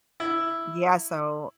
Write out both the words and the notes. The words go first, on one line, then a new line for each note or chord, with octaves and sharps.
Yeah, so
E4